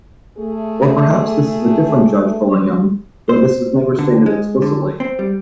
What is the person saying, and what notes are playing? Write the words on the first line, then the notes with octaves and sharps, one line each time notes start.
Or perhaps this is a different Judge Bullingham, though this is never stated explicitly.
A3 G#4
C5
D3
G#3
D3
C4
G3